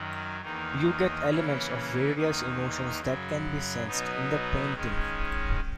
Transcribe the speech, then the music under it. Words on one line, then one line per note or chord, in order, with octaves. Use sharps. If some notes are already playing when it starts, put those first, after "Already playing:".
You get elements of various emotions that can be sensed in the painting.
Already playing: F#2 D#3 F#3
E2 D#3 A#3 D#4
C#3 E3 A#3 C#4 E4
E2 D#3 A#3 D#4
F#2 C#3 F#3
B2 F#3 B3 D#4
D#3 G#3 C#4